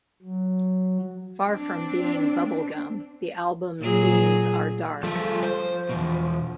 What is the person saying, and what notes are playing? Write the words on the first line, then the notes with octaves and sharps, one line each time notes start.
Far from being bubblegum, the album's themes are dark.
F#3
C4 D4
A#2 F#3 G#4
F3 G3 A3 A4
C5
E2 B2